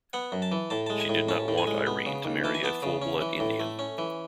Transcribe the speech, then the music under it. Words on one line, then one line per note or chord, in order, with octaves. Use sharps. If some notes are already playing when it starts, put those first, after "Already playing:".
She did not want Irene to marry a full-blood Indian.
B3 F#5
F#2
A5
E3
A2 A5
G#3 A5
G#5
A2
C#4 A5
A2
G#5
G#3
B3
C#3
D#2
E3 A5
G#5
B3 A5
C#3
C#4
E3
A2
A3
C#4
E3